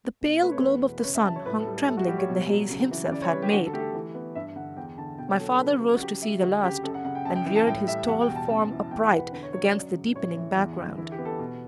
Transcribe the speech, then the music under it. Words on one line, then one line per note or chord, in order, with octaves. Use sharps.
The pale globe of the sun hung trembling in the haze himself had made. My father rose to see the last, and reared his tall form upright against the deepening background.
B2
A3 B4
C#5
E2 B4
B2
B4
C#3 C#5
E5
F#3 A5
C#5
A2 B4
A4
G3
A4
A2 A4
F#4
G3 G4
C#5
B2
F#3
C#3
E3
C#3 D5
C#5
G3 B4
G4
D3 F#4
A4
A3 G4
A4
E3
B3
G2 E5
D3 F#5
E2 G5
D3 A5
B2 G5
C#5
F#3 A4
A4
C#3 B4
F#3
F#4
C#3 G4
G3 E5
D2 F#4
C#3 G4
F#2 A4
F#5
C#3 F#5
G5
F#2 A5
G5
E3 G5
A5
A2 G5
G3 E5
E2 F#5
G5
B2
A5
F#2 A5
E3
E2 G5
F#5
B2
B4
D3 B4
C#5
F#3 C#5
D5
F#2
C#3
A2 C#5
E3
E2
D3
E3 E4
G4
B3
A4
B2